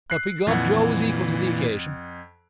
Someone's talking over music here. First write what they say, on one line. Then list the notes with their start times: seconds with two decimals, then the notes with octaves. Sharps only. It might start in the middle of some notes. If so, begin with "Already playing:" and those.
But, begob, Joe was equal to the occasion.
0.10 F#6 C7
0.47 F2 A#2 E3 F#5